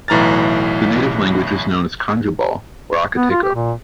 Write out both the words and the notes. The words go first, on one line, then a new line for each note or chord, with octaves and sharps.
The native language is known as Kanjobal or akateco.
B1 A2 E3 A#5 F6 A6
B3
F4
G4
A#2